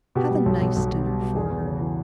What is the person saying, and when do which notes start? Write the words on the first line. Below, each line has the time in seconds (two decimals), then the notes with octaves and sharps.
Have a nice dinner for her.
0.15 B2 G4
0.31 G3
0.46 B1
0.61 B1
0.76 B1
0.91 B2
1.06 G3
1.21 B2
1.36 E2 G#4
1.50 E2
1.66 C#3
1.80 E3